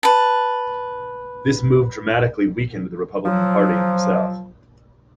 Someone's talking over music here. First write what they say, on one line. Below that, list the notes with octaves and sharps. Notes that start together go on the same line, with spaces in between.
This move dramatically weakened the Republican Party in the South.
B4 A5
F3 F#3